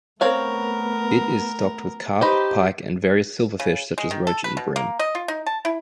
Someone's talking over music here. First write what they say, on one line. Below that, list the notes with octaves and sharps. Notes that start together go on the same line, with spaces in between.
It is stocked with Carp, Pike and various silverfish such as Roach and Bream.
A3 B3 C4 A#4 C#5 F5
D#4 G4 B4 C5
C#3
G#3
D#3
A4
B4
B2
A#3
D#5
F4
D#4
A5
E4